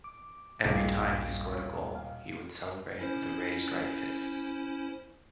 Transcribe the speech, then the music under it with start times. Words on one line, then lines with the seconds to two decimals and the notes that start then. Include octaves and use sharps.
Every time he scored a goal he would celebrate with a raised right fist.
0.04 D6
0.65 D#1 A#1 G2 G#3 D6
1.55 C#5
1.95 F5
2.99 C#4 E4 C5